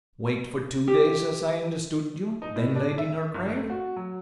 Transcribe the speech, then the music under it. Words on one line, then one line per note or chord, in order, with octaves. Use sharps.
Waked for two days, as I understood you; then laid in her grave?
G4
D#4
A2
D4
E5
G1
A3
F#4
F#3